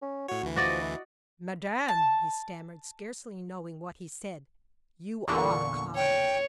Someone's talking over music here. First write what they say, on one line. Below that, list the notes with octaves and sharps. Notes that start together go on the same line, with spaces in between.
"Madame," he stammered, scarcely knowing what he said, "you are kind."
C#4
A2 F#4 C#5
D2 E3
F3 F#4 D5 D#5
E4
A5
E2 A#2 D3 C#6
C#5 G5